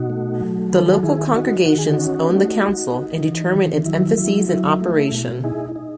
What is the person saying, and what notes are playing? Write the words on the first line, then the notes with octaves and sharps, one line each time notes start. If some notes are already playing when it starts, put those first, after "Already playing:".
The local congregations own the Council and determine its emphases and operation.
Already playing: B2 D#4 F#4
A3
F#3
D#3 B4
A4
G#4
F#4 A4
D#3 E4 G#4
E4
D#4 F#4
D#3 F#4
G#4
D#4 F#4
C#4
A3
D#4
D#4
E3
D#3
F#3 E4
F#3 E4
F#3 E4
A3
B2
D#4 E4 G#4
D#4